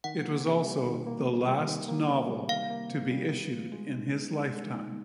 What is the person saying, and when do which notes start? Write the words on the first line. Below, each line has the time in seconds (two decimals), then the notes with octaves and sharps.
It was also the last novel to be issued in his lifetime.
0.04 D#3 F#5
0.25 A#3
0.46 C3
0.66 G3
0.86 D#3
1.07 A#3
1.27 C3
1.47 G3
1.68 D#3
1.88 A#3
2.09 C3
2.29 G3
2.49 D#3 F5
2.70 A#3
2.90 C3
3.11 G3
3.31 B3
3.52 G#3
3.72 G#3
3.93 D#4
4.13 B3
4.33 G#3
4.53 G#3
4.74 D#4